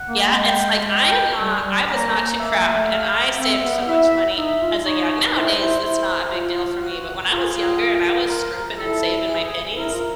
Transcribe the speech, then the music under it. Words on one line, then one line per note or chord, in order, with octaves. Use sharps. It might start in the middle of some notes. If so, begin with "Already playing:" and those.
yeah, it's, like, I am not I was not too proud, and I saved so much money a as a young nowadays, it's not a big deal for me, but when I was younger and I was scrimping and saving my pennies,
Already playing: F#5
A#3
G#3
G5
G5
G3 G#5
G3
A#3 A#5
A#3 E5
A3
F5
C4 E5
B3
E4 E5
D#4 E5
F4
D#4 C#5
E4 C5
E4
E4
F4
F#4
F4 G#4
F4
A#4
E4 A4
G#4
E4 A#4
F4